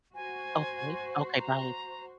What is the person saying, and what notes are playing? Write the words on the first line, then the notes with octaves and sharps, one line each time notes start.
okay, okay, by
F#4 C5 G#5
A#5